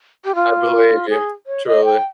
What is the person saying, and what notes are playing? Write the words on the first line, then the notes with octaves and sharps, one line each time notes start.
I believe you, truly.
G4
F4
G#4
C#5
D#5
G5